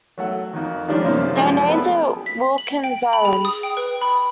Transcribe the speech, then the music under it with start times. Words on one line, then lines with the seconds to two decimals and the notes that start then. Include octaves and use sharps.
They named it Wilkins Island.
0.18 F#3 A3 F#5
0.53 F2 D#3
0.88 D#3 F3 G3 G#3 C#4 D4
1.02 F#2 C3 F3 A#3 C#4 D#4
1.35 F#2 F3 G#3 D5 G5 A5
1.68 A3 B3
2.26 B6
2.58 F#7
2.84 G5
3.13 B5
3.25 G#4
3.45 D#6
3.63 G5
3.77 B4
4.01 B5